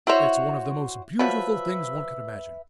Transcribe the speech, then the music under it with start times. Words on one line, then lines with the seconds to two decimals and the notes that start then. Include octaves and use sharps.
It's one of the most beautiful things one could imagine.
0.07 E4 F#4 C5 C#5 E5
1.19 F3 F#3 B4 E5